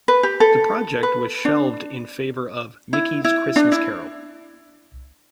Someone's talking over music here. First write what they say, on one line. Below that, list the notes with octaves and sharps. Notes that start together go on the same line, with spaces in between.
The project was shelved in favor of "Mickey's Christmas Carol".
B4
G4
A4
B4
D4
E4
E4
D4
E4